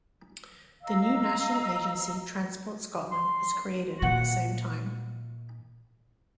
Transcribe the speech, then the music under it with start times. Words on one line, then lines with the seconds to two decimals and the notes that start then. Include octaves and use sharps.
The new national agency Transport Scotland was created at the same time.
0.83 D#5 F5 A#5 E6
3.11 C6
4.02 A#2 D#3